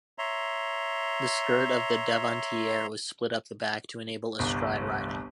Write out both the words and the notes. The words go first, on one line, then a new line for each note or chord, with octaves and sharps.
The skirt of the devantiere was split up the back to enable astride riding.
C#5 E5 A#5 C6
G1 C2